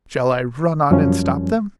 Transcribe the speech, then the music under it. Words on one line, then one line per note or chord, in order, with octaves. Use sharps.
"Shall I run on and stop them?"
F#2 F3 G3 C#4